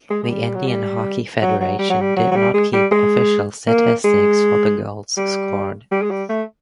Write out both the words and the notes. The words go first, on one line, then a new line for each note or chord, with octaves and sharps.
The Indian Hockey Federation did not keep official statistics for the goals scored.
G#3
G#3
G3
F#3
G3
F#3
F#3
G3
F#3
G3
F#3
F#3
G3
G#3
G3
G#3
A#3
G#3
G3
G3
G#3
G3
A3